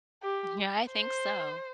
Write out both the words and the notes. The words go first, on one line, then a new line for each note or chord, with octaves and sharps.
Yeah, I think so.
G4
C5